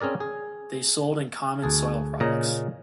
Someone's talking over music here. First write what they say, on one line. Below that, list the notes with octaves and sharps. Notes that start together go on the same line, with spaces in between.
They sold in common soil products.
C4 C#4 G#4 A#4 D5
G#4
D2 G#4 A5
A#2 C#3 C#4 D#5 A#5